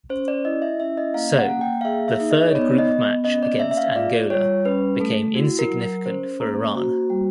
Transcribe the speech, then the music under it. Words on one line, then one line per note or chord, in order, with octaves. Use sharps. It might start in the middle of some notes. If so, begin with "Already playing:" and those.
So, the third group match against Angola became insignificant for Iran.
C#4 C5
D5
E4 D#5
E5
C#4 E5
D#5
A#3 F5
F#5
A#3
G5
F5
G#4 E5
E5
D#4
D#5
C#5
B3 D5
D#5
B3
C#4 D#5
D5
A#3 E5
E5
F5
F4 D5
G3 C#5
C#4 B4
A3 A4
E4 F#4
A#4
F#3
A#4
C#4 C5
A#3
F#4
G3